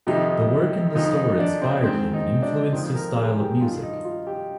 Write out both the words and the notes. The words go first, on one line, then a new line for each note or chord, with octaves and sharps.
The work in the store inspired him and influenced his style of music.
F2 C3 D#3 D#4
F2 D#3 D#4
D#4
D4
C4
G#2 D#3 C4
D#4
D4
F2 D#3 C4
A#4
G#4
G4
G2 D#3 F4
D#4
F4
G4